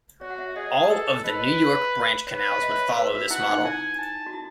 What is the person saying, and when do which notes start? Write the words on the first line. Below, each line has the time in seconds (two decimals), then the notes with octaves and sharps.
All of the New York branch canals would follow this model.
0.21 F#4 C#5
0.30 F#5
0.38 E5
0.56 G#4 D#5
0.66 C#5
0.72 D#5
0.90 A4 B4
1.07 C#5
1.24 B4 D#5
2.27 B4 C#5
2.51 D#5
2.62 E5
2.79 C#5
2.96 B4 E5
3.13 F#4
3.30 E4 F#5
3.48 D#4
3.65 E4 G#5
3.99 A5
4.26 F#4
4.33 E4